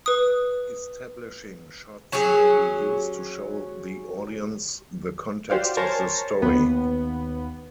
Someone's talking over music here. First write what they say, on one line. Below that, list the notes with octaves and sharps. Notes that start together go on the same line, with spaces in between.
Establishing shots may be used to show the audience the context of the story.
B4 D#6
F#3 C#4 G4 G#4
F#4 G4 C5 D5 F5
A#4 C5 C#5 G#5 A5
D#2 B3